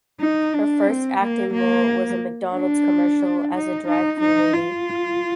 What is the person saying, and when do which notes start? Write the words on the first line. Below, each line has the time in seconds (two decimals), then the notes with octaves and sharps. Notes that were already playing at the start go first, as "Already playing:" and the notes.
Her first acting role was a McDonald's commercial as a drive-through lady.
0.20 D#4
0.53 D4
0.86 C4
1.21 A#3
1.53 A#3
2.54 D4
3.54 D#4
3.88 D#4
4.20 D#4
4.54 F4